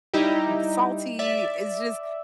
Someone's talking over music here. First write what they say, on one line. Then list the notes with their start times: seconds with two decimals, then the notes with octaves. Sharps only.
salty." It's just
0.14 G3 D#4 E4 G4
1.19 D5 E5